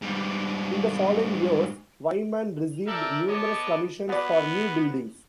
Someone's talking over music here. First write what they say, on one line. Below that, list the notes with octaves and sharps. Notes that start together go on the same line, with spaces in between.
In the following years, Wyman received numerous commissions for new buildings.
G#2 G3
A4 A#4 D5 E5 G5
B3 C#5 D#5 A5 D6
B3 F#4 D5